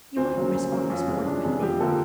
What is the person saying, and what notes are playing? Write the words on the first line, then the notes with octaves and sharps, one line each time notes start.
You might risk one this morning, I think.
D2 C4
C#3 F#3 A#3
D2
C#3 F#3 A#3
F2 C#4
C3 E3 G#3 C#4
F2 D4
C3 E3 G#3 D4
F2 G4
D3 F3 A#3 A4